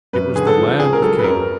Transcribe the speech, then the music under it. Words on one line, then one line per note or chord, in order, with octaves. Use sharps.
It was the land of Canaan.
F#2 B4
D3 G#4
A4
F3
C#3 G#4
A#4
F#3 A4
B4
F#2 A#4